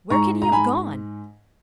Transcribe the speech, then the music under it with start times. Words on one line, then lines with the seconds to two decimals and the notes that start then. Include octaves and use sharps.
Where can he have gone?
0.10 G#2 A#5 C#6
0.42 A#5
0.52 G#2 G#5 B5